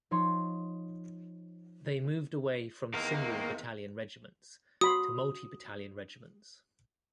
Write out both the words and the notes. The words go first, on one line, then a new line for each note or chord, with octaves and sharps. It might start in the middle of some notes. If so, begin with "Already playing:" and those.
They moved away from single battalion regiments to multi battalion regiments.
F3 D#4 C#5 C6
E2 C3 D#3 A#3 A#4
F#4 B5 C6 D#6